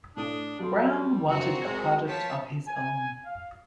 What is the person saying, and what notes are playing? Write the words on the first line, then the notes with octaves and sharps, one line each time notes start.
Brown wanted a product of his own.
A2 D4 A4 D#6
F#3 G3 A4 C6
C#3 C4 D4 F#4 A#4
G#3 G#6
F3 C#5 A5 B6
G#5
F5